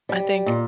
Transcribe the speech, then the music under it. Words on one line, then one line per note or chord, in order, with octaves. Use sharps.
I think
G3
A#2